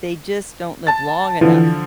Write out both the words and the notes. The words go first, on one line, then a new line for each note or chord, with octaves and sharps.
they just don't live long enough.
A5 A6
D3 E3 F3